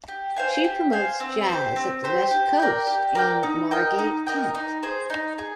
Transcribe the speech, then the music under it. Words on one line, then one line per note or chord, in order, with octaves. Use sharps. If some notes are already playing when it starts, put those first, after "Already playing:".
She promotes Jazz at the Westcoast in Margate, Kent.
G4
C5 F5 G#5
G4
C5 F5 G#5
C4
G4 C5
C4
G4 C5
G4
A#4 D5 G5
G4
A#4 D5 G5
D#4
A#4 D#5 G5
D#4
A#4 D#5 G5
D#4
G#4 C5
D#4
G#4